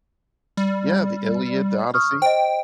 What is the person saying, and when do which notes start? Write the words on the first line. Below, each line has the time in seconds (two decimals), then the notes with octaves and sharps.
Yeah, the Iliad, the Odyssey.
0.57 G3
1.94 C#6 D#6 F6
2.22 C5 D#5 G5